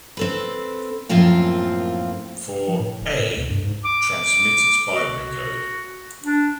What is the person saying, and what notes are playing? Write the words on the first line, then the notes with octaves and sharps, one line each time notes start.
For "a" transmit its binary code.
C4 A4 B4
F#2 A2 F3 A#3 C4 F4
F3
A2
D#1
A2
D2
G2
G#2
D6
F#4
D4